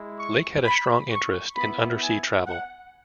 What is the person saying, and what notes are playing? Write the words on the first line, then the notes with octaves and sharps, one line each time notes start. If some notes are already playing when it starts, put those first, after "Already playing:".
Lake had a strong interest in undersea travel.
Already playing: G#3 E4
C#6
B5
C#6
B3 E4 B5
G#5
F#5